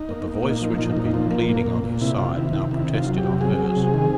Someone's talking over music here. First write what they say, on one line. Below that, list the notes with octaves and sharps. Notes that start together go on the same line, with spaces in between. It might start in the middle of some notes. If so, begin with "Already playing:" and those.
But the voice which had been pleading on his side now protested on hers.
Already playing: D#4
A#3
A#3
A#2
F3
A#2
A#2
F3
A#3
A#2
A#2
A#2
C3 E4
C3 F4
D#3 E4
C3 E4
D#3 E4
C3
F4
F#3
G4
C3
F#3 G#4
F#3
C3
D#3